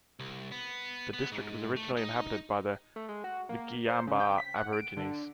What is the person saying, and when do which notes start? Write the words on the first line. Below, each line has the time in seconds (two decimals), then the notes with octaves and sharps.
The district was originally inhabited by the Ngiyambaa Aborigines.
0.20 C2
0.52 B3
1.13 B3
1.32 G#2
1.76 A3
1.97 D#4
2.96 A3
3.08 G#3
3.24 F#4
3.49 A#3
3.88 C5
4.07 C#3
4.20 G5
4.38 B6
4.56 F#5
4.73 D7
4.97 D3